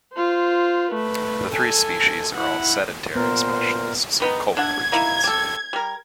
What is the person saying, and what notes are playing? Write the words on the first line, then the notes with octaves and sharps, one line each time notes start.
The three species are all sedentary specialists of cold regions.
F4 C5
A3 B4
A4 G#5
E4 F#5
A#2 B3 A#4 C5
D#3 B3 D#4
D4 E5 F#5 G#6
A#3 D#4 E4
G3 A4
G3 A#4